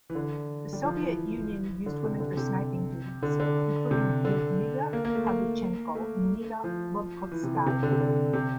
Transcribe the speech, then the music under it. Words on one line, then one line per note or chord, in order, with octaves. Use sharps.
The Soviet Union used women for sniping duties, including Lyudmila Pavlichenko and Nina Lobkovskaya.
E3
D3
G3
F3
E3
D3
C3
D3
C3
D3
D3
C3
D3
A#3
A#3
A3
A#3
A3
F3
E3
C3
D3
C3
D3
C3
D3
C3